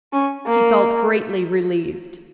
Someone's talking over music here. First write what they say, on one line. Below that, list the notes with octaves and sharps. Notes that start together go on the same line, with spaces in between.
He felt greatly relieved.
C#4
A#3